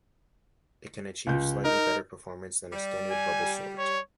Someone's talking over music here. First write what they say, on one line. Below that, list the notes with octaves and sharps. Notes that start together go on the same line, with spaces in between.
It can achieve slightly better performance than a standard bubble sort.
C#2 G6
D#4 A#4
G3
G#5
C#5